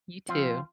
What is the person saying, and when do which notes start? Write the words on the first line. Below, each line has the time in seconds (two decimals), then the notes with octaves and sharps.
You too.
0.28 F3 C4 F4